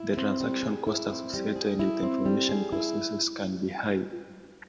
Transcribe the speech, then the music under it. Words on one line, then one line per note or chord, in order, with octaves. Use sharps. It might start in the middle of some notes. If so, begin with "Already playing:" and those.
The transaction cost associated with information processes can be high.
Already playing: E4
C4
G3
G#4
E4
C4
G3
G#4
E4
C4
G3
G#4
E4